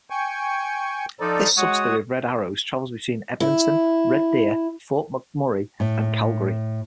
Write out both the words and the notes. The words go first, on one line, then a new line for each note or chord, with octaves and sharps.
This subsidiary of Red Arrow travels between Edmonton, Red Deer, Fort McMurray and Calgary.
G5 G#5 C#6
F3 D#4 A4 D5
G#3 F#4 C#5 F#5 D#6
E4
A2